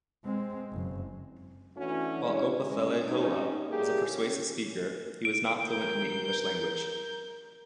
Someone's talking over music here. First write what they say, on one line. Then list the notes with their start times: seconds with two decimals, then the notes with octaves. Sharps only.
While Opothleyahola was a persuasive speaker, he was not fluent in the English language.
0.24 G#3 C4
0.72 F#1
1.77 E3 A3 C#4 D4 F#4
2.24 G2 F#3 G#3 C#4 E4 C#5
2.65 G#3 C#4
3.06 C3 F#3 C#4 D#4
3.69 G3 A3 A#3 G4 G#4
4.10 C#4
5.25 D7
5.64 A#4 G6